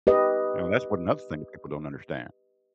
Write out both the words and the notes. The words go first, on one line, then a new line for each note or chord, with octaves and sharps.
You know? That's what another thing that people don't understand.
G4 B4 D#5